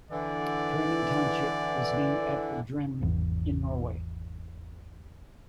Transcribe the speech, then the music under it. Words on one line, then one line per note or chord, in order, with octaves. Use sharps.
Drammen Township was named after Drammen, in Norway.
D3 E3 D5
G#1 E2